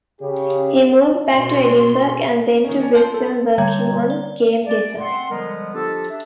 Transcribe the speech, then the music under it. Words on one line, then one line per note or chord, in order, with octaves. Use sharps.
He moved back to Edinburgh and then to Bristol working on game design.
C#3 G4
B2 C6
D#3 A#3 C#4
C#5 D5 G#5
F3 C5 A5
A4
D3 G3 C#5 G5 A#5 G#6
D5
D5
C4 F#5 C6
D3 F3 G3 G#3 B3 A#4
F3 D4 F4 G4 A4
D4 E5